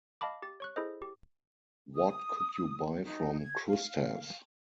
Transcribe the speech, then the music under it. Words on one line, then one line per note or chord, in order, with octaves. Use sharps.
What could you buy from Kroustas?
D#5 F5 A5 B5 D6
G4 A6
C#5 C#6 F#6
E4 G#4 A4 C5 D#5
G4
D#6
D#4
G#6
F5